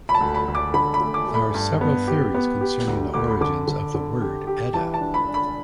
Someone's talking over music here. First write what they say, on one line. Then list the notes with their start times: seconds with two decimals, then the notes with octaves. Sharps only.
There are several theories concerning the origins of the word "edda".
0.09 B5
0.14 A5
0.21 D2
0.34 B5
0.48 D2
0.55 D6
0.74 D3 B5
0.94 B5
1.01 A3
1.14 D6
1.28 A3
1.34 B5
1.54 G2
1.81 B3
2.08 G4
2.34 B3
2.61 G4
2.87 D2
3.14 D2 D6
3.28 B5
3.41 D3 D6
3.68 D3
3.95 D3
4.21 G4
4.47 G4
4.74 E3 A5
4.94 A5
5.01 D4
5.14 B5
5.28 D4
5.34 B5